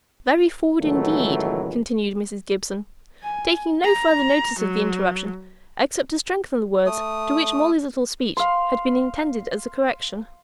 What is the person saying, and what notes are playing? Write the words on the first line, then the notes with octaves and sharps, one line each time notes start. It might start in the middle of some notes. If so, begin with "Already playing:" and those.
"Very forward indeed!" continued Mrs. Gibson, taking no further notice of the interruption, except to strengthen the words to which Molly's little speech had been intended as a correction.
C#2 A#2 D#3 E3 F#3 A3
G#5
A#5
F#3
A3 D#6
F5 C6